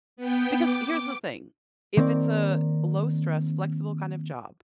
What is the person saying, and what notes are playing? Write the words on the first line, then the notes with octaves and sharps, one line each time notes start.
because here's the thing, if it's a low-stress, flexible kind of job
B3 G5
D6
D#3 A#3 C4 A#4 D5